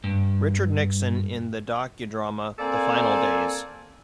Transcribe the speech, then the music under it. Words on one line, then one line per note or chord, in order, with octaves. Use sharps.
Richard Nixon in the docudrama "The Final Days".
G2
A#3 C4 A4 D5 G#5